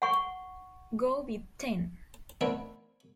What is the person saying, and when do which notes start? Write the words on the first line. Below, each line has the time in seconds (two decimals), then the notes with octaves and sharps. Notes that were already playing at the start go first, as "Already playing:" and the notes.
Go with ten!
0.02 F#5 C#6
2.41 D3 D#3 A3 C4 E4